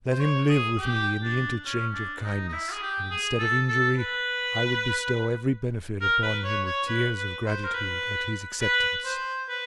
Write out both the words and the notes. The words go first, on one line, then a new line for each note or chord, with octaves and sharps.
Let him live with me in the interchange of kindness, and instead of injury I would bestow every benefit upon him with tears of gratitude at his acceptance.
C5
C#5
G#4
G4
D4
C#4
D4
D#4
D#4
E4
G#4
G4
G#4
A4
A4
B4
A#4
B4
C#5
C#5
B4
B4
C5
A#4
B4
B4
C5
B4